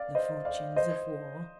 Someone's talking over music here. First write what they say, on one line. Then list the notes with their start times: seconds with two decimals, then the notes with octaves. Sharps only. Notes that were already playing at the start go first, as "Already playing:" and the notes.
"The fortunes of war ..."
Already playing: D5 F5
0.15 C5 D#5
0.45 D5 F5
0.76 C5 D#5